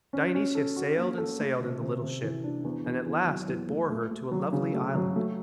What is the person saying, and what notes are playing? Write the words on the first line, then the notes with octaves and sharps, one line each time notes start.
Dionysia sailed and sailed in the little ship and at last it bore her to a lovely island.
C#4
C#4
A4
F#4
A#3
A4
A3
C3
C3
C3
E3
D4
E2
E2
E2
F#3
E2
A3
A3
A3
F#3
C#3
A3
F#3
A3